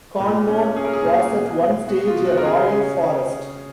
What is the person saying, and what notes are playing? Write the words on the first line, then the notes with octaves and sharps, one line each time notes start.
Quernmore was at one stage a Royal Forest.
A#2 D#5
C#4
C#4 G#4
A#4
G#4
A#2
B2
B2
B2 F#4
F4
B2
F#4
A#4
C#3 G#4
C#4